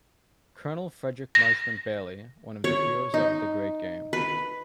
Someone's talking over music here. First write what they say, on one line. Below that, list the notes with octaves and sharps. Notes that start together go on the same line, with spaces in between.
Colonel Frederick Marshman Bailey, one of the heroes of 'The Great Game'.
A#6
C#5
D#4
B4